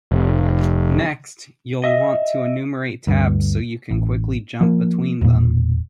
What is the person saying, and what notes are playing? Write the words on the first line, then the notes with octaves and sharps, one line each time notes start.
Next, you'll want to enumerate tabs so you can quickly jump between them.
F1
D#5 E5
D2 G2
A1
F3 A#3
E1 A#2